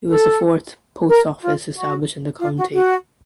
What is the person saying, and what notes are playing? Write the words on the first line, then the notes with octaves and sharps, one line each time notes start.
It was the fourth post office established in the county.
A4
A#4
F4
F#4
F4
F#4
F#4